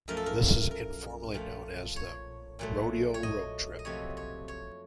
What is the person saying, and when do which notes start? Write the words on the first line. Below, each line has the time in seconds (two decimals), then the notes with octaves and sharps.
This is informally known as the "Rodeo Road Trip".
0.08 F#2 F3 A3 A#4
0.17 A4
0.26 A#4
0.71 A#4
1.34 A#2 F3 A3
1.96 C#5
2.59 A#2 F#3 A3
3.14 C#5
3.23 D#5
3.79 D#5
3.85 F2 C3 F#3 A3 C#5
4.17 C#5
4.48 C#5